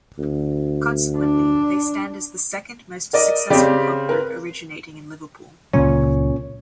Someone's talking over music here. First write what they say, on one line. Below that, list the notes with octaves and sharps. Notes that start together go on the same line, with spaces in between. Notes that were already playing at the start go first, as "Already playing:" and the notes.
Consequently, they stand as the second most successful pop group originating in Liverpool.
D2
D4
A#4 D5 D#5
C#3 C4 G4 D5
A#4 B4
C#2 A#2 C#3 F#3 C#4 C#5